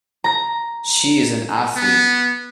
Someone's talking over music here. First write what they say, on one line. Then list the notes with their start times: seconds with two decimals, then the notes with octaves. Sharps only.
She is an Athlete.
0.24 A#5 A#6
1.76 B3